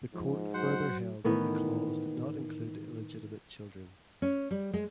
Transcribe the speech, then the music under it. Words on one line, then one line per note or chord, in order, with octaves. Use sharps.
The Court further held that the clause did not include illegitimate children.
G#2 F3
F#3 C5 F#5
A2 D#3 E3 B3
C#4
G3
G#3